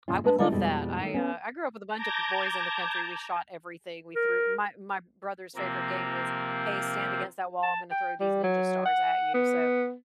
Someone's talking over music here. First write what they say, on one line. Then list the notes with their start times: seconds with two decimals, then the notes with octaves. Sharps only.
I would love that. I, uh I grew up with a bunch of boys in the country, we shot everything, we threw my my brother's favorite game was “Hey, stand against that wall, I'm gonna throw these ninja stars at you,” so,
0.08 F2 A#2 C#3 C#4 F4
0.24 G#3 D4 B4 A5
0.39 D3 G#3 A3 D#4 F4 D5
0.52 F2 B2 G3 G#3 E4
1.00 D#3 A3
1.14 B3 C#4
1.96 A5 A#5 D6 G6 G#6 A#6
4.15 A#4
5.56 C3 F3 A#3 C4 A#4
7.63 A5
7.91 G5
8.20 G3
8.44 F#3
8.86 F#5
9.34 B3